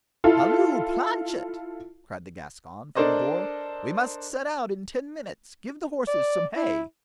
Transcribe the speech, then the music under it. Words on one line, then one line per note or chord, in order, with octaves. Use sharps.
"Halloo, Planchet!" cried the Gascon from the door, "we must set out in ten minutes; give the horses some hay."
E4 F4 A4
D4 A4 A#4 C5 D5 D#5
D5
E4